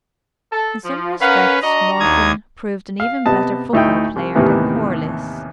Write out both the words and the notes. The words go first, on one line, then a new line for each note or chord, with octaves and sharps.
In some respects Morton proved an even better football player than Corliss.
A4
F3
C#4 A#4 B4 F5 F#5
D4 F#4 D#5 A#5
D#2 D#6 G#6
F5
C3 B3 D#5 A5
D2 A3 D#4 E4 G5
C2
D#2 A2 C3 D#3 E3 B3